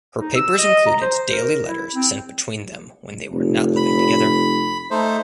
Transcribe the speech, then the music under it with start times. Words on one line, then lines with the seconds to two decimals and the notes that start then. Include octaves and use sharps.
Her papers included daily letters sent between them when they were not living together.
0.19 D#4
0.36 E6
0.58 D#5
0.86 A#5
1.02 C5
1.32 A#4
1.65 E4
1.94 C4
3.32 F1
3.77 B5
4.91 A3 D#4 C5